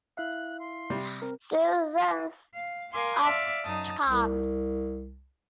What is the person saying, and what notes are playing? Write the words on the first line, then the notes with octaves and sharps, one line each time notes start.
Dozens of times.
E4 E5 F5 F#6
C6
C3 G3
C4 A#4
F5
A#4 F5 G#5 C6 D6
D5 E5 F5
F#2 D#4 A5 D#6
C2